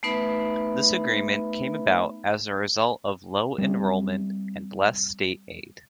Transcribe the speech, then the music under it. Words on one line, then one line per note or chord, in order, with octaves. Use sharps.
This agreement came about as a result of low enrollment and less state aid.
A3 B3 D#4 B4 E5 B5
G3 C4